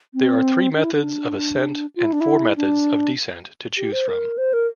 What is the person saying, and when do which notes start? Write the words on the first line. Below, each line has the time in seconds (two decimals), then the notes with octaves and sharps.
There are three methods of ascent and four methods of descent to choose from.
0.14 C4
0.75 D4
0.84 E4
0.94 D4
1.96 F4
2.04 E4
2.13 D4
2.21 E4
2.57 D4
3.77 G4
3.92 C5
4.08 A#4
4.38 C5
4.53 A#4